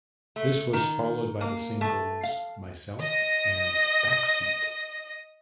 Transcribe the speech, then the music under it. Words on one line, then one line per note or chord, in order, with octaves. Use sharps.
This was followed by the singles "Myself" and "Backseat".
A3
D#3
A#3
A3
F5
D#5 A#6